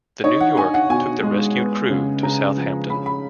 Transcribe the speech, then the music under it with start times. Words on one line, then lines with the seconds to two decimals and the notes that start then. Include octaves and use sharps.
The "New York" took the rescued crew to Southampton.
0.24 D#4 C#5
0.41 F#5
0.57 D#4 G#5
0.74 F#5
0.90 B2 G#5
1.23 G#3
1.57 B3
1.90 C#3
2.23 C#3 A#5
2.57 F3
2.90 C#4 B5
3.06 B5